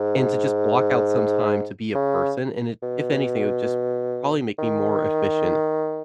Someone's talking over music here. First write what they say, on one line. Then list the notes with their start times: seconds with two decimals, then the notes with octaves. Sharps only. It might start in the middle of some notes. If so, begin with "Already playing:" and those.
and to just block out some time to be a person, and it, if anything, it would just probably make me more efficient
Already playing: G#2
1.94 C#3
2.82 B2
4.58 D#3